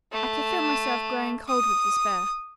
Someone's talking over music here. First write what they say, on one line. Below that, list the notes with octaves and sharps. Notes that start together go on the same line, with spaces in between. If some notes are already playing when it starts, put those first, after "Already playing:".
I could feel myself growing cold with despair.
A3
D#6